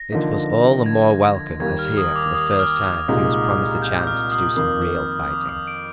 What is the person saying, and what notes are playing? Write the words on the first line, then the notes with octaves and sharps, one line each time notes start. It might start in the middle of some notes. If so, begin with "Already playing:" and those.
It was all the more welcome as here, for the first time, he was promised a chance to do some real fighting.
Already playing: A#6
D3 F3 A#3 D#4
G#6
G#6
G#6
D#2 D#3 G3 A#3 G#6
F6
D#6
D6
D#6
D#6
F6
C2 A#2 G#3 D#4
G6
F6
D#6
F2 D#3 A#3 D#6
G6
D6
D#6
D7